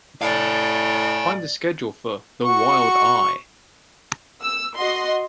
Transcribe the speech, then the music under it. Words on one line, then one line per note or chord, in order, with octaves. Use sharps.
Find the schedule for The Wild Eye.
A2 D5 F5 G#5
F#4 C#6
E6
F#4 D#5 C6